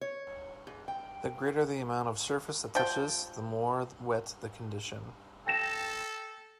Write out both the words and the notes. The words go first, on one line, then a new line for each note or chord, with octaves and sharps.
The greater the amount of surface that touches the more wet the condition.
C#5
G#2
G5
F3 G5
A4 G5 A#6 E7